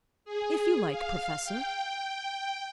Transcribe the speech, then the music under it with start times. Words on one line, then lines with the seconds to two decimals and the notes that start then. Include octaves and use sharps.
"If you like, professor."
0.25 G#4
0.91 F5
1.44 G5